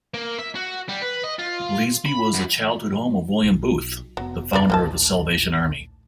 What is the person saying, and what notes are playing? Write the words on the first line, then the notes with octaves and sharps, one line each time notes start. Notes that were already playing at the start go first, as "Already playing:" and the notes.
Bleasby was the childhood home of William Booth, the founder of The Salvation Army.
A#3
E5
F#4
G3
B4
D#5
F4
B5
F#2
B1
F1 C3 F#3 B3
F2 C#3 G#3 B3 D4 D5
A#1 D#2 A2 E3 G5 A5